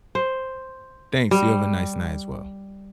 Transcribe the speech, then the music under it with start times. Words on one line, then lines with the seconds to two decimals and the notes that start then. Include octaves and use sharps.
Thanks, you have a nice night as well.
0.15 C5
1.31 G3